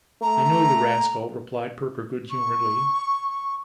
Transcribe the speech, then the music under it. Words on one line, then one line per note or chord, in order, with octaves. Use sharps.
'I know the rascal,' replied Perker good-humouredly.
A3 A#5
C#6